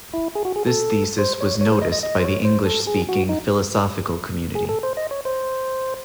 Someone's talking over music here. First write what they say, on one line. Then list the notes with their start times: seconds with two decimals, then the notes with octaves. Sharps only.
This thesis was noticed by the English-speaking philosophical community.
0.13 E4
0.35 G#4
0.45 F#4
0.56 G#4
0.67 A4
1.18 C5
1.41 C#5
1.61 C#5
1.67 A4
1.72 C5
1.82 D#5
1.92 D#5
2.03 D#5
2.20 C5
2.24 C#5
2.45 C5
2.65 A4
2.87 G#4
3.09 F#4
3.29 D#4
4.55 G#4
4.69 A4
4.83 C5
4.97 D#5
5.11 C#5
5.25 C5